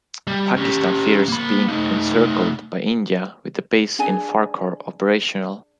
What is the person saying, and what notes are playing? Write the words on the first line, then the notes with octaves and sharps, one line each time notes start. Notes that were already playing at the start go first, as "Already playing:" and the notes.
Pakistan fears being encircled by India with the base in Farkhor operational.
G3
C#4 G4
A#3 B5
A3 D#4
D4 G#4 G#5